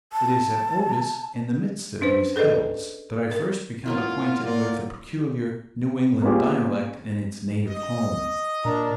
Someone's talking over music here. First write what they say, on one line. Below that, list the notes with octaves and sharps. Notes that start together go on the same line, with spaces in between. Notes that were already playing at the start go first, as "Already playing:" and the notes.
It is at Otis, in the midst of these hills, that I first become acquainted with the peculiar New England dialect in its native home.
A5
C#4 D4 B4 C5
G#4 A4 B4 D5 D#5
A#4
F#3 A#3 E4 F4
A#2 F4 A#4 D5
A#3 B3 C#4 F4 G4 G#4
D#5
A#2 D4 A#4 A#5